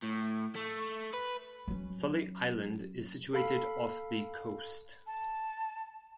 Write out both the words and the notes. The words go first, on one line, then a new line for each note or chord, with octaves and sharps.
Sully Island is situated off the coast.
A2
A3
B4
F#3 C#4
A4 F5 B5
A5